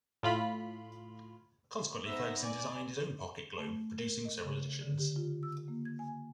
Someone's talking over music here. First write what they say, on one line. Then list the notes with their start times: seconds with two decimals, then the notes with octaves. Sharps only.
Consequently, Ferguson designed his own pocket globe, producing several editions.
0.23 A2 F4 B5
2.07 B3 D#4 C5 E5 A#6
2.42 D5 G#5
3.58 A3
3.99 A#4
4.25 D#5
4.44 C#3
4.81 D3
4.98 G4
5.16 F4
5.43 E6
5.68 A#3
5.85 G#6
5.99 G#5